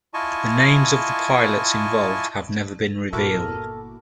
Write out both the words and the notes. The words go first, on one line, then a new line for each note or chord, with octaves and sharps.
The names of the pilots involved have never been revealed.
E4 F4 D#5 G#5 A5 C#6
G1 A#2 E4 F#4 A4 A#4 D6